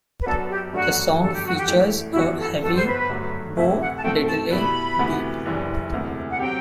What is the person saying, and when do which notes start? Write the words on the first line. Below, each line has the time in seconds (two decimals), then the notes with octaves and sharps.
The song features a heavy Bo Diddley beat.
0.21 B4
0.26 F#2 F#3 B3 D4 F#4 A4
0.50 G4
0.73 G2 F#3 A3 D4 F#4
1.20 G1 G2 D3 F#3 A4
1.33 G4
1.45 F#4
1.57 G4
1.68 A1 A2 E3 A3 D4
2.11 E4
2.15 G1 G2 E3 G3 B3 F#4
2.38 A4
2.63 G1 G2 F#3 B3 A4
2.75 C5
2.86 B4
3.10 G2 D3 F#3 A3
3.57 D2 C3 E3 A3 E4 E5
3.81 F#5
3.97 A5
4.03 B2 A3 C4 F#4 A4 G5
4.27 A5
4.51 B2 G3 B3 E4 B4 B5
4.98 D2 C3 E3 B3 F#4
5.46 F#1 F#2 E3 G3 D4
5.92 E1 D2 C3 E3
6.30 F#5
6.39 F#3 C4 G4 G5